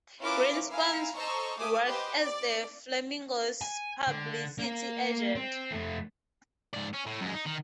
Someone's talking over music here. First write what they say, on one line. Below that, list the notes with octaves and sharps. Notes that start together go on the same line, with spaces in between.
Greenspun worked as the Flamingos's publicity agent.
C#4 E4 F4 A#4 B4 D6
E4 F5 G#5 A#5
A4 C5 D#5 A#5 C#6
A3 G#5 D6 D#6
G4 B4 C5 D#5
D5
G#5
D3
A#3 A#4
C4
F2 A3
G#2 D5
C#4
A2
F#2 G#3
D#4
D#3